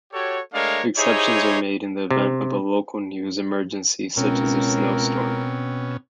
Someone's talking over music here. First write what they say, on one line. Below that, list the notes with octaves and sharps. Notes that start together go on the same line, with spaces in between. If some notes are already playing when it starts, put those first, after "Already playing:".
Exceptions are made in event of a local news emergency such as a snowstorm.
F#4 G4 A4 C#5
G#3 A3 D4 A#4 C#5 F5
D#4 E4 G4 G#4 C5 C#5
C3
C#2 B2 C4 C#4 A#4